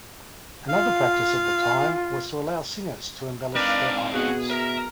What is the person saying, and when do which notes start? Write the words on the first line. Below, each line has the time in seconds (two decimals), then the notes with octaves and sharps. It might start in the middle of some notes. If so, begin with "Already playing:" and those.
Another practice of the time was to allow singers to embellish their arias.
0.69 F4 F5
3.55 C4 D4 D#4 A#4 B4 D5 F5
4.14 B2 F#4 G#4 F#5
4.50 A#4 E5 A#5